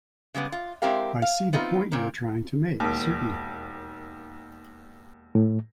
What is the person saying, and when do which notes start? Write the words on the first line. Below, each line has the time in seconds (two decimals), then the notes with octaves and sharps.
I see the point you are trying to make, certainly.
0.34 C#3 G3 G#3 B3
0.52 F4
0.82 G#3 C4 E4 G4 A#4 F5
1.22 F5
1.53 B3 C4 D#4 F4
1.92 A#2 C#3 C4 A#4
2.80 E1 D#2
5.35 A2